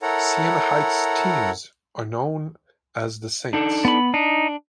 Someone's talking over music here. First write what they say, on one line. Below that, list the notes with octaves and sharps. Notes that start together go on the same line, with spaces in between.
Siena Heights teams are known as the Saints.
E4 A4 A#4 C#5 F#5 A#5
D4 D#4 A4
B3 B5
D4 D#4